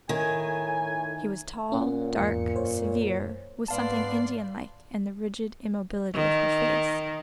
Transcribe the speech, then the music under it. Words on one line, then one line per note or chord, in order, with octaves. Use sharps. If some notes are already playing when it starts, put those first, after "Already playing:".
She was tall, dark, severe, with something Indian-like in the rigid immobility of her face.
A2 D#3 G#5
A#2 C#4 F4 F#5
E2 G#2 C#7
F#2 C5 C#5
G#2 B3 D5 F5 A5 C6
D#3